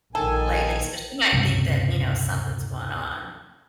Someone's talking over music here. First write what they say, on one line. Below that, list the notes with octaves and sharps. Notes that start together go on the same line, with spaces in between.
lately, so she might think that, you know, something's going on.
A#1 D#3 A4 G#5
D#1 C#2 G2 C3